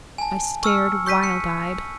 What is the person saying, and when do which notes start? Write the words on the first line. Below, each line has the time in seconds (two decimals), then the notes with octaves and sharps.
I stared, wild-eyed.
0.18 G#5 A5
0.63 C#6 E6 F6 C#7
1.06 C#6 G6 B6 D#7
1.23 G6 C#7